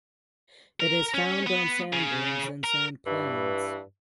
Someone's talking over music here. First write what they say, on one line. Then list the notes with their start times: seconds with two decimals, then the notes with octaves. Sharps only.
It is found on sand dunes and sandplains.
0.80 A#4
1.14 C#4
1.46 B3
1.93 C#3
2.64 A#4
3.06 G2 E3